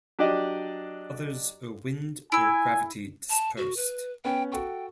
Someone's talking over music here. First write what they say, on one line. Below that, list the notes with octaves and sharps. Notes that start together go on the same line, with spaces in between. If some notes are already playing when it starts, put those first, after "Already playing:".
Others are wind or gravity dispersed.
F#3 D4 G4 D5 D#5
E4 G#5 E6
A5
F#4
B4
B3 C#4 G5
F#4 A4 G5 C#6